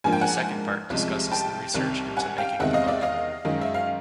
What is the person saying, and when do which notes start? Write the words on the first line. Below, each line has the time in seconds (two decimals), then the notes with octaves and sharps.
The second part discusses the research into making the book.
0.04 G#2 F3 A#3 D4 G#5
0.13 G5
0.21 F#5 G#5
0.90 C2 C3 F3 G#3
1.32 G5 A5
1.74 C2 C3 D#3 G3 C4
2.17 F#5 G#5
2.38 F5 G5
2.59 E2 C3 D#3 G#3 C4 E5 F#5
2.73 D#5 F5
2.88 D5 E5
3.02 D#5 F5
3.45 F#2 D#3 G#3
3.61 E5
3.74 F5